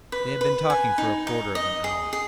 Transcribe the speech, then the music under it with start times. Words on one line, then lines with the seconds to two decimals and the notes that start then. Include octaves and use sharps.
They had been talking for a quarter of an hour.
0.12 B4
0.41 B4
0.70 G#5
0.98 D#4
1.27 D#4
1.55 D#5
1.84 G#4
2.13 G#4